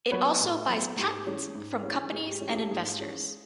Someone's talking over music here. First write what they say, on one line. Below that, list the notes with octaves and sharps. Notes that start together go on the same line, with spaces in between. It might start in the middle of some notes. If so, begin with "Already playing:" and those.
It also buys patents from companies and inventors.
F#3 B3 B4 C#5
A2
F#3 B3
G#2 G4
E3 G#3 C#4
G#2
E3 G#3 C#4
G#2 G#4
G4
E3 G#3 C#4
G#4
G4 A4
G#2 G#4
E3 G#3 C#4